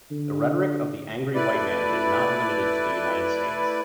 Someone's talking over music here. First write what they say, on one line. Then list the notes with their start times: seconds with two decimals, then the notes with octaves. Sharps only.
The rhetoric of the angry white man is not limited to the United States.
0.11 D3
1.34 A3 E4 B4 D5